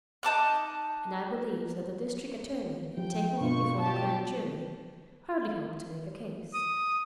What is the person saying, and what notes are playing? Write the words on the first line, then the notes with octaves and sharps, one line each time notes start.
And I believe that the district attorney, in taking him before the grand jury, hardly hoped to make a case.
D#4 A5 D6 F#6
F3 G5
G2 B2 F4 C#6
G4 A5
D#6